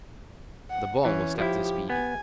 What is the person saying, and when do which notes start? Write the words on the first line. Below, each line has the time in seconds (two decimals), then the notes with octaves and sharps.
The bomb was Captain Speedy.
0.70 F#5
1.05 E3 C#4
1.38 F3 E4 G4
1.90 B3 G#5